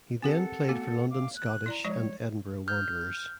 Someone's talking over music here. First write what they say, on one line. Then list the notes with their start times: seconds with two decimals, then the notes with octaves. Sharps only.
He then played for London Scottish and Edinburgh Wanderers.
0.22 C4 G4 A4 A#4 F#5
0.68 A3 B3 F#4
1.10 F5 D6
1.36 F#6
1.66 E4 D5 A#5
1.84 F3 G#3 C#5 D5
2.68 F6 G6